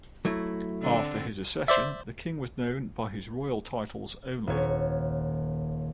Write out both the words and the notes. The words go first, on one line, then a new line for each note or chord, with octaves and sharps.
After his accession, the king was known by his royal titles only.
F#3 A3 E4
D3 C4 D4
C5 D5 E5
D#1 C#5